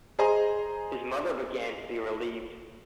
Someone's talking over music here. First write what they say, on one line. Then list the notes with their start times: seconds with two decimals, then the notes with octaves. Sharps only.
His mother began to be relieved.
0.19 G#4 C5 D#5 G#5 A#5